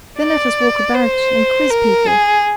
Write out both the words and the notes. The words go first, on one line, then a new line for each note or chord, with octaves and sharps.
Then let us walk about and quiz people.
D5
C5
A#4
G#4